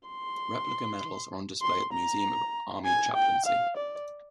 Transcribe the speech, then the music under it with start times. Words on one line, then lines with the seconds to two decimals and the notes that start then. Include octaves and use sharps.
Replica medals are on display at the Museum of Army Chaplaincy.
0.08 C6
1.62 C6
1.93 A#5
2.85 G#5
3.15 G5
3.46 F5
3.77 D5